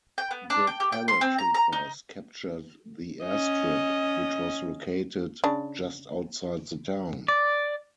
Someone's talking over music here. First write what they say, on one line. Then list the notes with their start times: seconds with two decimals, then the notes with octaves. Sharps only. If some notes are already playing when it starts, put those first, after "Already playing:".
The paratroopers captured the airstrip, which was located just outside the town.
0.18 G5
0.31 B3
0.50 D4
0.67 G5
0.80 G4
0.92 G5
1.08 C6
1.21 C4
1.38 A#5
1.54 A#5
1.73 D#4
3.25 C#4 D#5
5.44 C#3 D4
7.28 D5